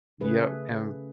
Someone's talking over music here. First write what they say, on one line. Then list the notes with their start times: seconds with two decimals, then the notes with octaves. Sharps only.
Yeah, and
0.21 C#3 A3 G#4 B4